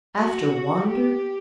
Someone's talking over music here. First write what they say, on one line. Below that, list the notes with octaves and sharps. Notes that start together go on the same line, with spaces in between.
After Wander?
F#4
G4